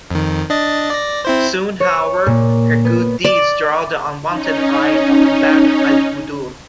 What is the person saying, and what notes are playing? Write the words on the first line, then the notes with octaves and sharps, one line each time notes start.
Soon, however, her good deeds draw the unwanted eye of Badr Al-Budur.
F2 D#3
D4 D#5 A6
D5 A#6
C4 E4 C5
C#5
A#2
B3
D5
C#4 D#4